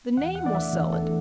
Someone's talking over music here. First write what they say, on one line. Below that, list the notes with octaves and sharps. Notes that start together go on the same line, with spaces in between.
The name will sell it!
E2 F#5
F#5
E3 A3 D4 D5
E5
E2
A4
E3 A3 D4